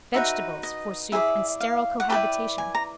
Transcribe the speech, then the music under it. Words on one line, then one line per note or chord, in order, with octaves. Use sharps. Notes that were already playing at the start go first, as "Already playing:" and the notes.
Vegetables, forsooth, and sterile cohabitation!
D#4 F#4 B4 E5
D#5
E4 G#4 B4 D5 E5
F5
F#5
E4 G4 B4 D5 G5
G#5
A#5